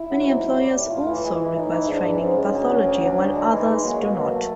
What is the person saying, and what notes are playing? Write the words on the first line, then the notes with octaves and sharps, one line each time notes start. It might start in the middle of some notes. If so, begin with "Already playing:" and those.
Many employers also request training in pathology while others do not.
Already playing: E4
F#3
G#2
F#3
G3 E4
A2
A2 F4
E3
G#3 E4
E3
A2 D#4
E3
G#2 D4
E3
G#2 C#4
G#2
D2
F#3
D2
F#3
D2 D4
G#3
E3 D#4
G#3
F#3 A#3
B2
F#3
A3